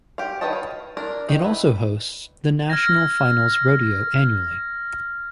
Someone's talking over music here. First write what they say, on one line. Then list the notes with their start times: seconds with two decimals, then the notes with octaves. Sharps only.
It also hosts the National Finals Rodeo annually.
0.18 G4 F5
0.41 D#3 B4 C#5 D#5 A5
0.53 F5
0.97 D4 A#4
1.29 D#3 D#4
1.42 E4 B4
2.70 F6 G#6 A#6